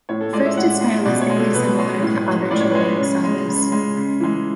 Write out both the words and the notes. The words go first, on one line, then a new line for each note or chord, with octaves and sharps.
The first is stylistically similar to other chivalric sagas.
A2 C#5
A4
G#3 D5
E5
A2 F#5
G#3
B2 D5
C#5
G#3
A4
B2 B4
G#3
A2
G#3
A2 D5
C#5
G#3 B4
C#5
C#3
G#3
C#3
G#3
C#3
E3 G#3